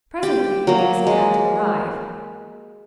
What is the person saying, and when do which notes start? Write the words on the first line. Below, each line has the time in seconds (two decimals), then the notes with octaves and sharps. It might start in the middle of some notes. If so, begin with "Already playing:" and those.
Presently the guests began to arrive.
0.23 G4
0.67 F#3 A#3
1.07 G#3